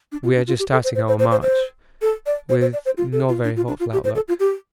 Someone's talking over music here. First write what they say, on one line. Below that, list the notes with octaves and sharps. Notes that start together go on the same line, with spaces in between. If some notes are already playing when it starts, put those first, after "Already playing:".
We are just starting our march with no very hopeful outlook.
D4
F4
D4
F4
G4
A4
C5
C5
C5
C5
C5
C5
A4
D5
C5
C5
D5
C5
F4
A4
F4
D4
F4
D4
F4
G4
C5
A4
F4
G4